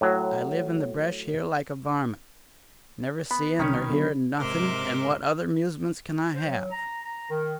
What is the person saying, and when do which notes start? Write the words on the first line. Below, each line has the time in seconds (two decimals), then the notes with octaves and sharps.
I live in the bresh here like a varmint, never seein' nor hearin' nothin', and what other 'musement kin I have?
0.01 A2 F#3
3.31 B3 B5
3.60 C2 D#3 C#4 C#5
3.90 B1 D3
4.39 G#2 C3 A#4 E5 C6 D6
6.34 C5
6.47 F#3
6.70 A#5
7.04 A#5
7.30 D#3